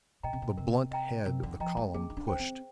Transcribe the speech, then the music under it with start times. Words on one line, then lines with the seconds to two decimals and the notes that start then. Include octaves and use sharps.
The blunt head of the column pushed.
0.23 A#2 D#5 G5 A#5
0.33 C3
0.42 A#2
0.58 C3 A#4
0.91 D#5 G5 A#5
1.26 C3 A#4
1.43 D3
1.60 F3 D#5 G5 A#5
1.77 G#3
1.94 A#3 G#4
2.10 D#4
2.17 D4
2.27 D4 C5 G5
2.39 C4